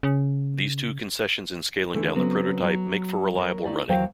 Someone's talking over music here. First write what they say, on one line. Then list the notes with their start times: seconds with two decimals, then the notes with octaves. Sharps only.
These two concessions in scaling down the prototype make for reliable running.
0.03 C#3
1.95 D3 E3 A3
2.15 C#3 F#3 B3 C4
2.63 F#3
3.35 F#3 A#4
3.65 A3 D#4 E4 D5
3.89 D#2 E3 F#3 C5 F5 G5